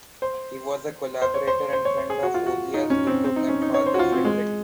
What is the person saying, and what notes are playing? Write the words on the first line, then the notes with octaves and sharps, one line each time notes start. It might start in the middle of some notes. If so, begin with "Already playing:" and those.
He was a collaborator and friend of Ozias Leduc and Father Frédéric.
C5
C5
C#5
C5
C5
C#5
C5
G#4
F#4
F4
F#4
D#4
C#4
C4
C4
D#4
C#4
D#4
C#5
C5
F#4
F4
C4
G#3